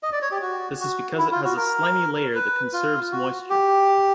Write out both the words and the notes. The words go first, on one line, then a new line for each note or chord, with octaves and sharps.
This is because it has a slimy layer that conserves moisture.
D#5
D5
C#5
G4
F#4
F#4
E4
F4
F#4
A#4
B4
F4
F#4
G4